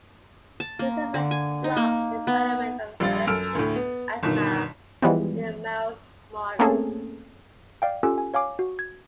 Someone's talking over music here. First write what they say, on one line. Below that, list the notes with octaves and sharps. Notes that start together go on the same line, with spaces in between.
These effects block the development of allergic asthma in a mouse model.
A5
A#3
D3
G#5
D#4
A#3
B3
A#1 G3 F5 A6
F#2 A4 E6 F6 D7
D2 A2
B3
G1 B2 D#3
E3 F3 G3 G#3 B3
A3 A#3 C4 C#4 G#4 A4
D5 F5 G5
C#4 F4 G4 A4 G#5 E6
G#5
C#5 F5 G#5 D6
F#4
G#6